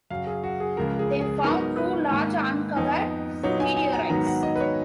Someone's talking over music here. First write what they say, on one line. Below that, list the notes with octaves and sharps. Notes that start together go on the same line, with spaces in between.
They found two large uncovered meteorites.
F#2 C#3 F#3 F5
G#4
F#4
G#4
C#2 C#3 F3 A#4
G#4
G#4
G#2 F#3 B3 D#4 A#4
B4
G#2 D#3 A#3
F2 F3 B3 D#4
A#2 F#3 B3 D#4 C#5
G#5
G#5
A#5
G#2 D#3 F#3 B3 A#5
F#5
D#5
B4
C#5